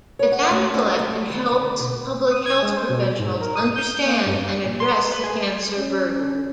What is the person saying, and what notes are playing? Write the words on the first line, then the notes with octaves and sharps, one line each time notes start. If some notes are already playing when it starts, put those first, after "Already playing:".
The data collected helps public health professionals understand and address the cancer burden.
C#5
F#5
A3
E5
A3
D#3
D3
B2
D#6
G#6
G#3
C5
B2
G#2
A#4
D#6
G6
A#3
G2
A#2
C6
B4
G#4
C#4